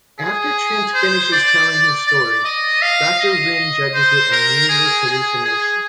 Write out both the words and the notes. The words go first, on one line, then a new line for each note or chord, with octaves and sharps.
After Trent finishes telling his story, Doctor Wrenn judges it a meaningless hallucination.
G#4
C5
D5
D5
D#5
F5
D#5
C5
A#4
G#4
G#4
G#4